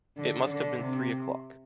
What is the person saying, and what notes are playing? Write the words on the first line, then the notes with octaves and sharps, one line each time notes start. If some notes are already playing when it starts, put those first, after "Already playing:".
It must have been three o’clock.
D3
D3
C3